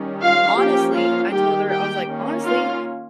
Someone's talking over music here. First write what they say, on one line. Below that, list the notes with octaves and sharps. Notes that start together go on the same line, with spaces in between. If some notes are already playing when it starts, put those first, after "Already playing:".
honestly, I told her, I was like, "Honestly,
Already playing: D#3 G3 C#4
F4 F5
F3 A#3 C#4 G4 G5
F4 F5
D#3 G3 A#3 G4 G5
G4 G5
D#3 A#3 C#4
F4 F5